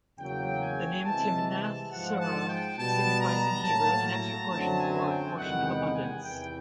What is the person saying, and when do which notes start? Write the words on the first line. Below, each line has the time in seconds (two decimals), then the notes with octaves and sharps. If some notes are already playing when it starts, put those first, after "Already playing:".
The name "Timnath-serah" signifies in Hebrew an "extra portion" or "portion of abundance".
0.18 E2 C#3 F#3 A#3 G5
0.61 G#5
1.05 C2 C3 E3 G#3 C4 A5
1.48 A5
1.91 G#2 F3 G#3 F#5
2.20 A5
2.49 G5
2.77 B2 G3 B3 A5
3.20 A#5
3.64 A2 F#3 A#3 A5
4.08 A#5
4.50 F#2 D3 F#3 A3 C4 A5
4.79 G#5
5.09 G5
5.37 E2 C3 D#3 G#3 B3 F#5
5.65 G5
5.95 G#5
6.24 E2 C3 E3 G5